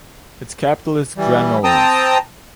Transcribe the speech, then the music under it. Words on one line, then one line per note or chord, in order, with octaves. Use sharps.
Its capital is Granollers.
E3 G3
C4 G5 A5 A#5 D#6